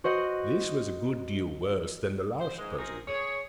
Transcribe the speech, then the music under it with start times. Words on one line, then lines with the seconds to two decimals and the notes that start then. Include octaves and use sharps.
This was a good deal worse than the last puzzle.
0.04 F#4 C5 D#5 F#5
2.40 C5
2.57 G#2 G#3
2.78 C4 D#4 G#4 A#4
3.07 G#4 C#5